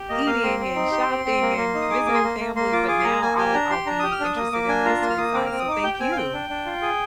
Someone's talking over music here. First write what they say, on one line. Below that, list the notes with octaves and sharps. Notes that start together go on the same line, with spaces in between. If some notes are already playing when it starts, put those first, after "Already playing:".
eating, and shopping, and visiting family, but now I'll I'll be interested in the history side, so, thank you.
Already playing: G4
A#3 D#5
A#3 F5
C4 C6
C4
D#4
G4
C4
C4
A#3
A#3
D#4
D#6
G#4 D6
A#3 D6
C6
A#3
A#3
A#3 C6
F4 D6
G#4 D6
C6
A#3 A#5
A#3 G#5
G4 G#5
D4 A#5
G4 C6
D4 A#5
G4 D#6
F6
D4 D#6
A#3 D#6
A#3 D6
D4 G#5
F4 A#5
A#3 C6
F6
A#3 D#6
C4 D6
C4 F6
D#6
D#4 D6
G4 G5
G5
C4 G#5
F5
C4 G5
D4
D4
F4
G#4